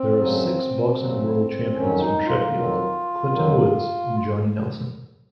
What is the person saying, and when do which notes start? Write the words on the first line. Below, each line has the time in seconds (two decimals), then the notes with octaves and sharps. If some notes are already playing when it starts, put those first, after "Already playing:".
There are six boxing world champions from Sheffield, Clinton Woods and Johnny Nelson.
Already playing: C4
0.19 F#2 C#3 F#3
0.96 F#2 C#3 F#3
1.74 F2 D#3 F#3 C#4
2.00 D#4
2.26 F4
2.51 F2 D#3 F#3
3.29 F2 D#3 F#3